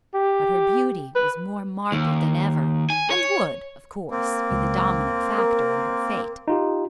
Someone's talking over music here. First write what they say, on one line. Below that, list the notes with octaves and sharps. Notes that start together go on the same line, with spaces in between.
But her beauty was more marked than ever, and would, of course, be the dominant factor in her fate.
G4
B4
D#2
G#5
C#5
A#3 C4
C#2
A#4
D#4 F4 G4